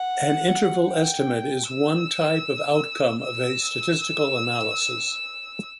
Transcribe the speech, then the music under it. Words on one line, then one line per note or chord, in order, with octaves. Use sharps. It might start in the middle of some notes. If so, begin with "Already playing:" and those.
An interval estimate is one type of outcome of a statistical analysis.
Already playing: F#5
G5
E6
E6